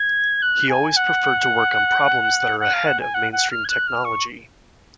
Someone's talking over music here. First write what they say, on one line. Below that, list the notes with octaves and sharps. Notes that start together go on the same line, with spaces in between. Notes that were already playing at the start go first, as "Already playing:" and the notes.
He always preferred to work on problems that are ahead of mainstream technology.
Already playing: G#6
F#6
G#5
F#5
F#5
F5
F#5
G#5
F#5
F#5
F6
G#6
F#6
F6
C#6